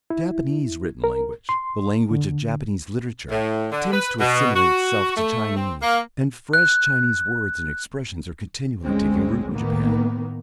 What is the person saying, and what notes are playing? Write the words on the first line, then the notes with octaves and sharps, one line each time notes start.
The Japanese written language, the language of Japanese literature, tends to assimilate itself to Chinese, and fresh Chinese words and expressions are continually taking root in Japan.
E4
A#4
C6
D3
A2
D3
B4
B2
F#4
A3
C4
A#3
F#6
G1 D2 G#3 C4 C#4
A2 D#3 A#3 B3